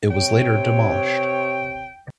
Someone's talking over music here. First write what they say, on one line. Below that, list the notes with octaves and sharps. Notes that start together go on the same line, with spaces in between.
It was later demolished.
C3 C#5 G5